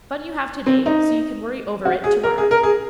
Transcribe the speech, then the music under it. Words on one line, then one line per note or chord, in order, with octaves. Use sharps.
Fun you have to-day so you can worry over it to-morrow.
C4
D#4
F#4
G#4
A#4
G#4
A#4
G#4